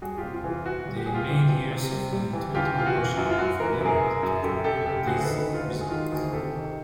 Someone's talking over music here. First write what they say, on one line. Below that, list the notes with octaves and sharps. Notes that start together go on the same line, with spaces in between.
They made use of an intuitive notion of a limit to compute these results.
G3 F#4 G#4
F4 G4
C3
F4
E3
F4
E3 F#4
G3
G4
G3 G#4
F4 G4
E3
C3
C3
G3
G3
E3
C#3 F4 G4
E3 F4
F#4
E3
F#2 F4
F4
F#2 F#4
E3 A#4
B4
F#2 G#4 A#4
F#2
F#2
F#2 G4 A4
F#2 G4 A4
C#3 G4 A4
D2 F#4 G#4
A4 B4
D#3
A4 B4
D2
F4
G#3 F#4
G#4
D#3 F4 G4
D2 F#4 G#4
C3 G4 A4
D#3